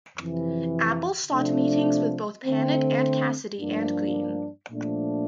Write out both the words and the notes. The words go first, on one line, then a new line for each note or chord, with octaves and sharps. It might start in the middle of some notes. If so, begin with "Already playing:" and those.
Apple sought meetings with both Panic and Casady and Greene.
F2 C3 E3
C3 F3 A3 D4
D3 A3 C4
G2 F3 A#3 D4
A#2 F3 A3 D4